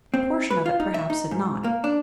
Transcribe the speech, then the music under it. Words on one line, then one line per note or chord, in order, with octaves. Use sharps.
A portion of it perhaps had not.
C4
B4
F4
D#4
E5
D#4
G#2
A#3
D4